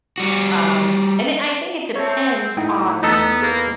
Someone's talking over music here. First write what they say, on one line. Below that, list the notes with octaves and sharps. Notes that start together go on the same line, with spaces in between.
um, and it I think it depends on
G3 F#4
C4 C#5 E5 A5
F#5
A2 D#4 E4 F#5 G5 D#6
E2 A3 B3 D#4 A4
A#3 G#4 B4